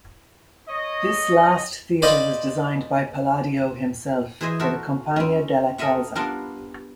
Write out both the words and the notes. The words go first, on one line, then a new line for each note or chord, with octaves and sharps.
This last theatre was designed by Palladio himself, for the Compagnia della Calza.
C#5 D#5
C5 D5 D#5 F5 G5 B5
E3 G#4 C5 D#5 E5
F#4 A4 A#4 C5 E5
C4 C#4
A4 A#4 D#5 E5 F#5
G3 B3 D4 F4 A#4